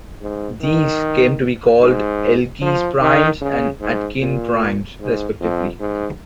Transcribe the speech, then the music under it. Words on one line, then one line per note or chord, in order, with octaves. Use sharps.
These came to be called Elkies primes and Atkin primes respectively.
G#2
D#3
G#2
F3
D#3
C#3
G#2
A#2
G#2
F2
G#2